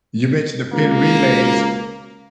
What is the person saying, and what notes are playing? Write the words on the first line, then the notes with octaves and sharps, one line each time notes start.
You mentioned the pin relays.
C#2 A#3